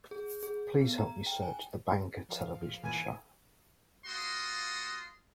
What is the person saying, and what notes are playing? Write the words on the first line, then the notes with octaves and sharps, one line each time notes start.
Please help me search The Banker television show.
G#4
G#4
B3
A#5
G5
G#5
F3 F5
A#2 E3 G#5
A#3 F4 F#4 C6 D#6